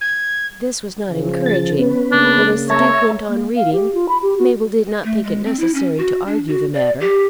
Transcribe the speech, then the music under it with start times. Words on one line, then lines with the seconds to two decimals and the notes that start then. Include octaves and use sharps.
This was not encouraging, but as the Duke went on reading, Mabel did not think it necessary to argue the matter.
0.01 G#6
1.10 C#3 F3
1.46 A6
1.79 B3 C#4 B4
2.12 C#3 A#3 D4
2.70 C#5 E5 A5 A#5
3.29 A#3
3.56 F5
3.73 G4
3.95 F4
4.09 B5
4.22 G4
4.38 F#4
5.04 A3
5.24 G#3
5.45 C4
5.59 E4
5.74 C#4
5.98 F#4
6.26 D4
6.48 F#4
6.73 D5
7.01 G4